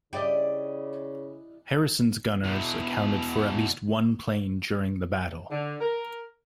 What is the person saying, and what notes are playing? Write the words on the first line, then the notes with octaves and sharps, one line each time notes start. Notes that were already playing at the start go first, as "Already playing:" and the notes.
"Harrison"'s gunners accounted for at least one plane during the battle.
C#3 E4 G4 D5 D#5
E2 B2
D3
A#4